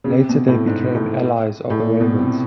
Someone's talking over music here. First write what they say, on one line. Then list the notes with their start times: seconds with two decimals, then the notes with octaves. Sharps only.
Later they became allies of the Romans.
0.04 C#3
0.09 C3
0.29 B2
0.48 A2
0.67 G#2
0.95 A2
1.70 A2
1.80 A#2
2.00 B2
2.19 C3